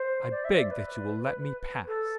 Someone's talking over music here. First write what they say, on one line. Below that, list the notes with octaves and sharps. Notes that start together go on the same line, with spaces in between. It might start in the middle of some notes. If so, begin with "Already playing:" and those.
"I beg that you will let me pass."
Already playing: C5
D5
E5
D5
B4
A4